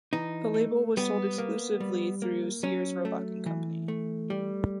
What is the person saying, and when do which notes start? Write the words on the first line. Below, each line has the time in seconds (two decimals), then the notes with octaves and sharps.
The label was sold exclusively through Sears, Roebuck and Company.
0.13 E3 D#4
0.54 A3
0.97 G3 B3
1.38 A#3
1.80 G3
2.22 A#3
2.63 F#3 C#4
3.05 A3
3.46 E3
3.88 A3
4.30 G3